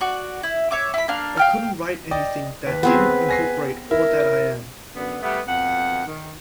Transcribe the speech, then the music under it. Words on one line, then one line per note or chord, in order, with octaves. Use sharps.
I couldn't write anything that didn't incorporate all that I am.
F#4 D5
E4
C#5 E5 D6
E4 B5
A#3 D4 F5
F5 G5 F6
D5 D#5 G5
D#2 B4
B3 C4 G#4
G#5 A#6 C7
E4 A#4
F#2 D3 B3
G3 A3 B3
F2 B2 F#5
D#3